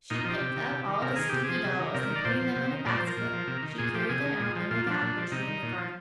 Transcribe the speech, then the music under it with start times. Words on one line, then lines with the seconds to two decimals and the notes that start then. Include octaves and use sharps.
She picked up all the sticky dolls and putting them in a basket she carried them out under the apple tree in the garden.
0.10 A#2 D#4
0.21 D#4
0.25 F3
0.30 G4
0.41 C3
0.56 D#3
0.72 C3
0.88 D#3
1.02 C3 A#4
1.16 D#3 G#4
1.29 C3 G4
1.43 G#4
1.49 F3
1.64 C3
1.79 D#3
1.94 C3 A#4
2.10 D#3
2.15 D5
2.25 A#2 C5
2.41 F3
2.56 C3
2.71 D#3
2.86 A#2 D5
2.97 C5
3.02 F3
3.07 A#4
3.17 A#2
3.33 F3
3.47 C3
3.63 D#3
3.78 A#2 G#4
3.95 F3 G4
4.09 C3 G#4
4.25 D#3
4.40 A#2
4.55 F3
4.71 A#2 F4
4.87 F3 D4
5.02 A#2
5.17 F3
5.32 C3 D#4
5.48 D#3
5.63 A#2
5.78 F3